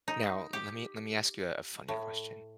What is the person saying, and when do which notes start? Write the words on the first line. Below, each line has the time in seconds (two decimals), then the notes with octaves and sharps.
Now let me let me ask you, uh, a funny question
0.08 D#4
0.53 G4
1.89 A2